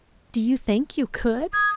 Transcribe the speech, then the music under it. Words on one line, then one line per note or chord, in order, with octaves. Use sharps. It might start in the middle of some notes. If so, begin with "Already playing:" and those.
"Do you think you could?"
D#6 G#6